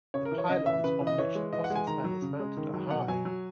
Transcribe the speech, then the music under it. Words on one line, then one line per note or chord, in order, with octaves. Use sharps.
The pylons on which the crossing span is mounted are high.
C#3 C#5
A#4
E3
C#5
C#3 D#5
E3 E5
C#3 B4
E3
D#5
E3 C#5
G#3
E3 D#5
F#5
G#3
G#5
D#3 A#5
F#3
C#3
G#3
D#3
F#3
B2 F#5
F#3 G#5
F#3